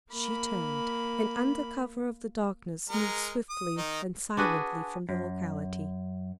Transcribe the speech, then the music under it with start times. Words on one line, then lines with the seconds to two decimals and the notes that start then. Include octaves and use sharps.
She turned, and, under cover of the darkness, moved swiftly and silently from the locality.
0.13 A#3 B5
2.89 G#3 A#4 A#5
3.50 D#6
3.77 D#3 D#4
4.37 D4 F#4 G#4 B4
5.09 F#2